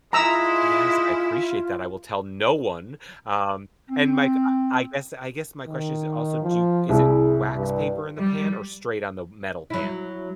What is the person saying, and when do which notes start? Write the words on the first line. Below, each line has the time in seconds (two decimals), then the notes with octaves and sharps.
Yes, I appreciate that, I will tell no one. Um, and my g I guess I guess my question is also do you is it wax paper in the pan or straight on the metal pan?
0.13 G#3 E4 F4 A#5 E6
3.90 C4
5.67 D#3
6.42 F3
6.89 C2 E4 G#4
7.55 G2
8.18 G3
9.70 F#3 E4